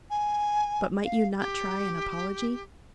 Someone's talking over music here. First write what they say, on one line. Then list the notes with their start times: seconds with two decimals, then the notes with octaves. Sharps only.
"But might you not try an apology?"
0.10 G#5
1.04 F5
1.40 G4